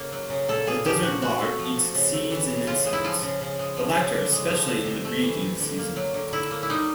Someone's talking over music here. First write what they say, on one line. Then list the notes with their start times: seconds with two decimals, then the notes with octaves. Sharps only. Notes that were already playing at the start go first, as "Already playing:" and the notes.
The desert lark eats seeds and insects, the latter especially in the breeding season.
Already playing: C#3 A#3
0.12 F#3
0.30 C#3
0.49 A#2 A4
0.67 A#3 G#4
0.85 F3 G4
1.03 A#2 F#4
1.22 C3 F#4
1.40 A3
1.59 F3
1.77 C3
1.95 C#3
2.13 A3
2.31 E3
2.50 C#3
2.67 C#3 F4
2.86 G#3
2.93 E4
3.04 F3 F4
3.22 C#3
3.41 C#3
3.59 G#3
3.77 F3
3.95 C#3
4.14 D3
4.32 G#3
4.50 F3
4.68 D3
4.86 C3
5.04 A3
5.23 E3
5.41 C3
5.60 D3
5.78 A#3
5.96 F#3
6.14 D3
6.33 D3 E4
6.51 A#3
6.63 E4
6.69 G3 D#4